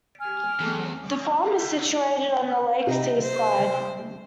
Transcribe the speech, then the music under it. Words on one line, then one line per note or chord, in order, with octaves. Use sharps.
The farm is situated on the lake's east side.
G#5 F6
E2 A4
C3 D#4
C5